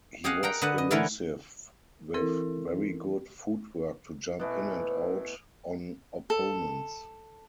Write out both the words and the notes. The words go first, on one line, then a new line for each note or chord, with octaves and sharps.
He was elusive with very good footwork to jump in and out on opponents.
G4 G#4 D#5 F5 F#5
A#4 F#5 G5 A#5
D3 B4 D#5 F#5
D#5
D3 E3 E4 A#4 B4 C#5
E3 C4 E4 A4 A#4
B2 E3 A3
A4